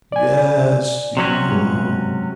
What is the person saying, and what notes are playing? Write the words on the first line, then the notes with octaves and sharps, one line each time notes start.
Yes, you know ...
D5 G#5
C3 F#3 C#4
G2 G#3